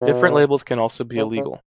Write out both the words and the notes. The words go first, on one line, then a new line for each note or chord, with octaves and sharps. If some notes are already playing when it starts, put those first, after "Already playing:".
Different labels can also be illegal.
B2
C#3
C#3